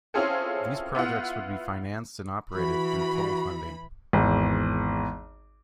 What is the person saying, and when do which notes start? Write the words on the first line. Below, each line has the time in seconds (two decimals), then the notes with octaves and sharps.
These projects would be financed and operated through toll funding.
0.14 C4 C#4 E4 F4 G#4 A4
0.95 B3 E4 F4 F#5
2.55 E3 F#4 B5
4.13 G#1 E2